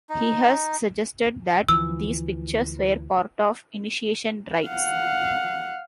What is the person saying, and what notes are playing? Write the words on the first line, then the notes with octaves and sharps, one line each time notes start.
He has suggested that these pictures were part of initiation rites.
D#4
D2 E3 F3 E6
F5 F#5